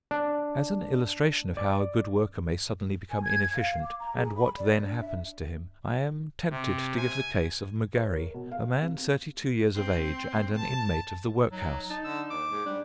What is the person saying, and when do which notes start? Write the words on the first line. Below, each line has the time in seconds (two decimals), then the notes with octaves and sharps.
As an illustration of how a good worker may suddenly become inefficient, and what then happens to him, I am tempted to give the case of M'Garry, a man thirty-two years of age, and an inmate of the workhouse.
0.11 D4
1.57 D5
3.10 G#5
3.24 G#6
3.55 F5
3.83 D6
4.00 A#5
4.16 G#4
4.35 B5
4.58 D5
4.83 D4
5.01 E5
6.51 C3
6.97 G#5
7.96 C#5
8.13 A#4
8.34 B2
8.51 F5
8.82 C3
9.75 C4 C6
10.54 A5
11.51 F#3 D#4
11.90 D#4 A5
12.04 D3 E6
12.31 D#2 D6
12.50 G#2
12.66 G3 D4